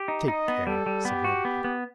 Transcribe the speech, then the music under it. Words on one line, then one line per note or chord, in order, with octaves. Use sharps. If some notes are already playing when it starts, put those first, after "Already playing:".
'Take care,' said Riderhood.
Already playing: G4
D#4
D#4 D#5
B3
G3 A4
G3
B3 G4
F#4
B3
B3